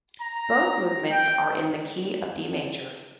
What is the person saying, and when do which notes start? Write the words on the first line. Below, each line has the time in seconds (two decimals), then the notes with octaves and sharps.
Both movements are in the key of D major.
0.21 A#5
1.11 G5